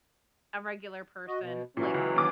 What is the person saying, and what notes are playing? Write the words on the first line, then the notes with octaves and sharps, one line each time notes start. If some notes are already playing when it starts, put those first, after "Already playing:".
a regular person, like
F#4 D#5
B2
A#2 E3 F#3 C#4
C#2
D#2 D6 D#6